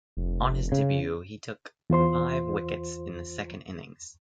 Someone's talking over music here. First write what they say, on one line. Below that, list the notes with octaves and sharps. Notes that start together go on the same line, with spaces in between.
On his debut, he took five wickets in the second innings.
F1
C#3
E2 F4 C5 C6